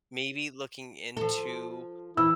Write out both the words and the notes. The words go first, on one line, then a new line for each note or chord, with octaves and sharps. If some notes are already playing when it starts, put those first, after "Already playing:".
maybe looking into
F3 A4
E3 E4 E6